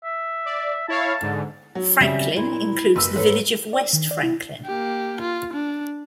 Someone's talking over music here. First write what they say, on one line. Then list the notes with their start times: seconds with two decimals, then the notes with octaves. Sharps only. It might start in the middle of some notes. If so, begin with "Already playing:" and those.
Franklin includes the village of West Franklin.
0.04 E5
0.45 D5
0.88 E4 C#5 F5 A5
1.22 G#2 D3
1.75 F#3
2.01 C#3 G3 C4 E5
2.36 A#2 E4
2.96 F#1 B4 E6
3.16 G#2 C#3 A4 B4 C#5
3.73 D5
3.93 D#3
4.11 D5
4.23 E4
4.66 A#3 G4
5.21 F4
5.53 D4